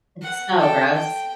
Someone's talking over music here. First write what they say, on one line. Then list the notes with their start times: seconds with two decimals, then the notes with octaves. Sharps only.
It's so gross,
0.22 F#5
0.58 A4 G5
0.94 G5